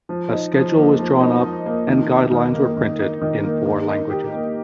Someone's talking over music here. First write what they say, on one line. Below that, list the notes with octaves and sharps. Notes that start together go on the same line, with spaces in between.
A schedule was drawn up, and guidelines were printed in four languages.
F3
D#4
F3
A#3
F3
D#4
F3
A#3
D#3
D#4
D#3
A#3
D#3
D#4
D#3
A#3
D#3
D#4
G4
A#3